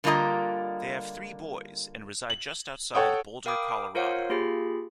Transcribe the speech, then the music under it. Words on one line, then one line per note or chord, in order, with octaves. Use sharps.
They have three boys and reside just outside Boulder, Colorado.
D3 G3 A#3 F4 D#5 A#5
F#7
A4 C#5 F#5 G5 D#6
A#4 F5 G5 B5 D6 D#6
F4 A#4 C5 C#5 F5 F#5
A#3 F4 G4 G#4 B5